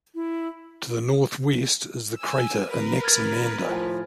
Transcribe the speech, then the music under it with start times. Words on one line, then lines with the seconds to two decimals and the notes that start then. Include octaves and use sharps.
To the northwest is the crater Anaximander.
0.15 E4
2.18 G#5 E6
2.69 A#4 B4
3.04 F6 G#6 A6
3.65 A2 F3 G#5